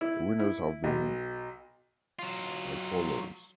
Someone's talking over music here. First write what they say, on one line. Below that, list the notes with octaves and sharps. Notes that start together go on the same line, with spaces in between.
The winners have been as follows.
E4
E4
B1
F#3 F4